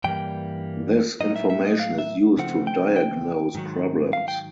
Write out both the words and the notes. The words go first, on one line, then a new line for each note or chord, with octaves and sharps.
This information is used to diagnose problems.
G2 E3 G3 A#3 G5
A2 F#3 A#3 D#4 D#5
E5
E5
D#5
F5
E5
C#3 F3 A3 C4 F#5
G5
G5
G#2 D#3 F#3
F5
G5